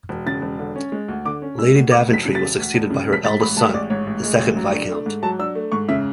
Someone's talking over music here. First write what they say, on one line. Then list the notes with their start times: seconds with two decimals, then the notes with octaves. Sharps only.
Lady Daventry was succeeded by her eldest son, the second Viscount.
0.09 E1
0.26 C#3 A6
0.42 E1
0.59 D3
0.76 C#4
0.92 G#3
1.08 D2
1.25 D3 D6
1.42 C#4
1.58 G#3 E6
1.75 D2
1.91 D2 D6
2.08 E1
2.13 B6
2.25 C#3
2.35 A6
2.41 E1
2.58 D2
2.74 E1
2.90 C#3
3.07 E1
3.13 B6
3.24 G#2 A6
3.41 A1 B5
3.56 G#3 A5
3.74 A1 D5
3.90 G#2 C#5
4.06 A1
4.23 G#3
4.39 A1
4.56 F#3
4.73 D4
4.89 A3
5.06 G#2
5.22 F#3 A5
5.39 D4 E6
5.55 A3
5.72 G#2 C#6
5.89 C#3 E5